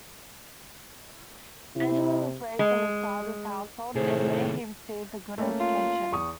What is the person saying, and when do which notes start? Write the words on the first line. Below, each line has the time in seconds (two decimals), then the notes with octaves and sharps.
Angelo was raised in his father's household and there he received a good education.
1.76 C3 E4
2.59 G#3
3.96 A2 C3 D#3 G#4 C5
5.38 A3 A#3 C#4
5.60 F4
6.12 E2 C#6 D#6